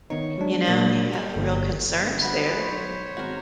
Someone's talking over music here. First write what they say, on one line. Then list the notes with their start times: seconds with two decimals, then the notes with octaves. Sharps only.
you know, and you have real concerns there,
0.10 D#3 B3 D#4 C#5
0.38 F#3 G#3 D4
0.66 A#2 G3
1.13 G3
1.33 G1 A#3 A4
2.00 G1
2.22 B3 F#4 B5
2.61 B1 C5 C#5
3.17 G#1 F#4 A#4